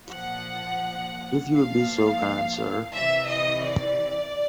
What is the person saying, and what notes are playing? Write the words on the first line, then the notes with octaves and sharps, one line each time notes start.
If you would be so kind, sir.
A#2 F3 F#5
A#2 F3 F5
C3 E3 E5
D#5
D5